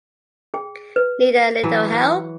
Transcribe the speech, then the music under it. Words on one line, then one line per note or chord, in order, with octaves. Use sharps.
Need a little help?
G#4 G5
B4
E3 F#3 G#4
F#5